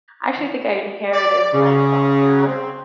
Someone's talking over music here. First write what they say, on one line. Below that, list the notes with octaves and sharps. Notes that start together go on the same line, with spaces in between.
I actually think I inherited my insomnia.
D5
C#3
C4